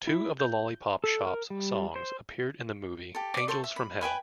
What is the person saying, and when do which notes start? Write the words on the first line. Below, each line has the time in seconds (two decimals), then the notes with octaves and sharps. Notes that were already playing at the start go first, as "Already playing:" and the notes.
Two of The Lollipop Shoppe's songs appeared in the movie, "Angels from Hell".
0.07 E4
0.40 G6
1.04 A4
1.26 A#4
1.50 G3
1.96 C5
3.15 G4 A4
3.34 D5 D6
3.48 A4 C5 C6 C#6
3.64 E5
3.76 B5
4.01 B4 G5 G#5 B5